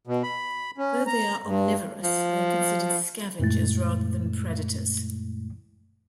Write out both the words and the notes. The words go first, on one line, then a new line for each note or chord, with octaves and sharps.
Though they are omnivorous, they are considered scavengers rather than predators.
B2
B5
C#4
A#5
G2
F3
F#2 A#2 G#3 A3 E4 A6